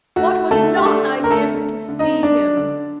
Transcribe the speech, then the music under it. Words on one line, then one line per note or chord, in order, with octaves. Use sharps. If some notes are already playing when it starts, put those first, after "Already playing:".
What would not I give to see him!
A3 F#4
D3 A3 A4
G4
A3 D4 A4
D3 A#4
A3 A4
A3
D3
D#4 D#5
D4 D5
D3